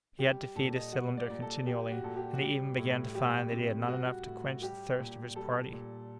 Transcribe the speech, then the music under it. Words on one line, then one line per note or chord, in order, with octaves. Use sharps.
He had to feed his cylinder continually; and he even began to find that he had not enough to quench the thirst of his party.
G3 G4
A#2 A4
D#5
G3 F#5
D5
A#2
A4
G3 G4
F#4
A#2 A4
G4
F#4
G3 G4
A2
G3 G4
C3
G3 F#4
A2
G3 G4
A#2
G3 A4
A#2